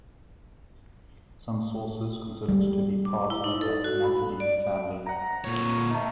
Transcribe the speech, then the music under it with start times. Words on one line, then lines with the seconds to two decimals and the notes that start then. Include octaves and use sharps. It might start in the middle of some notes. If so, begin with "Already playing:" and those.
Some sources consider it to be part of the Anatidae family.
2.49 G3
3.05 D6
3.30 E4
3.44 D#4
3.61 A4
3.84 F#4
4.04 B5
4.40 D5
5.06 F#5 A#5
5.44 A#2 C#5
5.90 D#3 A3